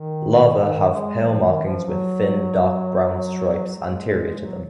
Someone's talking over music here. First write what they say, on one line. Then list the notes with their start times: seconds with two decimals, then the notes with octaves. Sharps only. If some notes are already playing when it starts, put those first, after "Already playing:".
Larvae have pale markings with thin dark brown stripes anterior to them.
Already playing: D#3
0.57 D#3
0.89 G#3
1.21 F3
1.42 D#3
1.63 F3
1.85 F#3
3.76 G#3
4.40 F#3